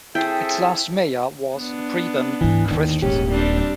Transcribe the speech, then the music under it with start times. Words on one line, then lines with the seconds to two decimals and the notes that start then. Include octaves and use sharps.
Its last mayor was Preben Christensen.
0.15 C4 E4 G#4 A4 E5 G5 G6 C7
1.56 B3 D4
2.41 D1 G#2 E3
2.71 D#2 D3 D#3
3.02 D#1 A#1 G#2 C#4 G4
3.32 G3 C4 D4